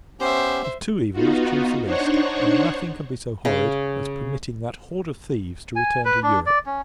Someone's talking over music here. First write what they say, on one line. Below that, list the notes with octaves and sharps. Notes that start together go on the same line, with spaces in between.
Of two evils, choose the least; and nothing can be so horrid, as permitting that horde of thieves to return to Europe.
B3 C#4 G4 C5 E5
B3 D#4 F4 F#4
D4 D#4 C5 C#5 F#5 C#6
C#3
G#5
B4
D4
D5
C#4